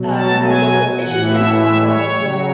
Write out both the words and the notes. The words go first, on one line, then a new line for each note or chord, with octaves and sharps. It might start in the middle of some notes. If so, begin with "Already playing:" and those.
uh, more local issues and o on more local
Already playing: B2 F#3
A5
G#5
A2 E3 F#5
E5
E5
C#5
C#3 F#3